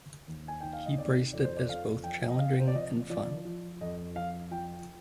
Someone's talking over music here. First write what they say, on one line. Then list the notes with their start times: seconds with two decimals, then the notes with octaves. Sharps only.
He praised it as both challenging and fun.
0.28 D#2
0.48 G#5
0.61 D#3 G5
0.73 F5
0.86 D#5
0.98 C3 D5
1.33 F2 D5
1.45 C5
1.57 D5
1.69 F2 F5
2.04 F3 G5
2.30 D#5
2.39 C3 F5
2.60 C5
2.68 D5
2.75 F3 D#5
3.10 F3 D5
3.45 F3
3.81 F2 D#5
4.16 F3 F5
4.51 F3 G5